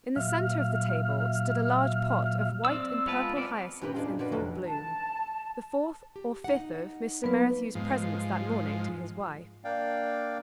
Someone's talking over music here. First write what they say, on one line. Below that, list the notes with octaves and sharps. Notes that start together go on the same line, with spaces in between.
In the centre of the table stood a large pot of white and purple hyacinths in full bloom, the fourth or fifth of Mr. Merrithew's presents that morning to his wife.
A#2 F#3 E5 F5 F6
C4 D5 E6
G#3 B3 F4 B4 A5
G#3 B3 C4 D5
G2 A#2 C#4 D4 G4 B4
E2 D4 D#4 F4 G#4 C5
F3 F#4 B4 C#5 D5
F1 D#3 F#3 A4
A5
G4
D#4 F#5
F#3 A#3 B3 B4
G#2 F3
A#3 D4 D5 F5 G5